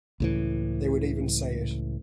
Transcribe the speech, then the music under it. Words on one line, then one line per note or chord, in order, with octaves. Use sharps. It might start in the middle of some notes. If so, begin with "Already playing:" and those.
They would even say it.
C#2 A2 E3